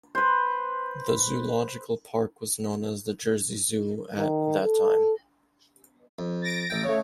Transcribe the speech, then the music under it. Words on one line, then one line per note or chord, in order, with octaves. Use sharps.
The zoological park was known as the "Jersey Zoo at" that time.
B4 C5
D#3
A4
F2
A6 A#6 D7
A1 G5
C#3 A3 C#5